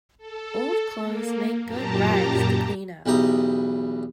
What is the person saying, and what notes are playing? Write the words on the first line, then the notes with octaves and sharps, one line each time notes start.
Old clothes make good rags to clean-up.
A4
A#3
F#2 A#2 G4 A5 A#5
B1 E2 G3 A#5 D#6